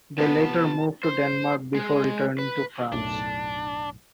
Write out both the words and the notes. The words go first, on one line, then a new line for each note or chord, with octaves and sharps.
They later moved to Denmark before returning to France.
C3 F3 B3 A5
C5
G#3
B4
B1 F#2 A2 D4